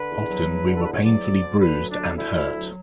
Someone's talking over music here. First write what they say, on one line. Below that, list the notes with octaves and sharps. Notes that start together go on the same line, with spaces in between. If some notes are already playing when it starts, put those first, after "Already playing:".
Often we were painfully bruised and hurt.
Already playing: D3 B4
E2
F#3
E2
D3
A4
E2 B4
C#5
F#3 D5
D2
D3
D2 B4
F#3
D4
D2
D3 E4
D2
F#3